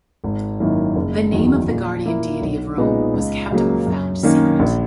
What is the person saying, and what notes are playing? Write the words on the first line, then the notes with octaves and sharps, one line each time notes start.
The name of the guardian deity of Rome was kept a profound secret.
G#1
F#2 D#3 A#3 E4
F#1
E2 D#3 F#3
A#2
A#3 E4
B1
A#2 G#3 B3 D#4
C#2
C#3 F#3 A#3
F#2
D#3 A#3 C#4
A#1